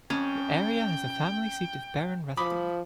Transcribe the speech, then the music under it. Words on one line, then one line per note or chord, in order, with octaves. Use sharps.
The area has the family seat of Baron Rathdonnell.
F2 C#4 G5
F3 B5 D6 D#6